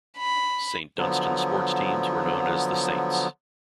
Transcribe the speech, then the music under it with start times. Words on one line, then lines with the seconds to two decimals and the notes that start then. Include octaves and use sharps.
Saint Dunstan's sports teams were known as the Saints.
0.18 B5
0.98 D3 F3 F#3 B3